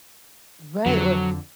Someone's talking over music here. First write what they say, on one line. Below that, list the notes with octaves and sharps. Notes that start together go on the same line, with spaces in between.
Right, or
F2 D3 F#3